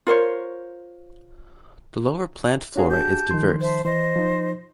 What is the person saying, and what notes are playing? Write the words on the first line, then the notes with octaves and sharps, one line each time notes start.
The lower plant flora is diverse.
F4 A#4 C5 C#5
D4 F#4 G#4 C#5 F5
G4 A5 G6
D#3 F3 C6
C5 E5 A5
E3 C5 D#5
F3 D#4